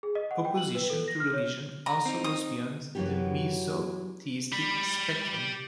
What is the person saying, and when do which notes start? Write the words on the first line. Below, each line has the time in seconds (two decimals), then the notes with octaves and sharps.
Opposition to religion also goes beyond the misotheistic spectrum.
0.03 G#4
0.15 D#5
0.31 F#5
0.45 G5
0.57 F#7
0.75 B4
0.90 A4
1.08 A#6
1.20 F6
1.34 C#5
1.86 A#5
2.06 C4 D#4
2.24 D#6
2.95 F#2 E3 F#3 D#4 F#4 G4
4.52 G4 B5